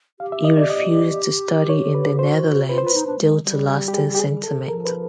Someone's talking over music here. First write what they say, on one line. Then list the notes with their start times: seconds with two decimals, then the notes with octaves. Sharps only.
He refused to study in the Netherlands due to lasting sentiment.
0.20 G4 F5
0.32 E5
0.44 D#5
0.57 D5
0.70 D#5
1.69 C#5
1.95 B4
2.19 F#4 C5
2.69 F4 B4
2.78 C5
2.82 F4 B4
2.94 D#4
3.07 D4
3.19 G#3
3.44 G3
3.69 G4
3.88 G4
3.94 G#4
4.15 G4
4.19 G#4
4.44 A4
4.69 F3 A#4
4.85 B4